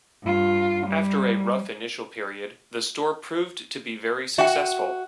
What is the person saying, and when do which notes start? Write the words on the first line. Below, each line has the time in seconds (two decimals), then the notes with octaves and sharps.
After a rough initial period, the store proved to be very successful.
0.23 G2 F4
0.87 G3
4.38 F#4 E5 G5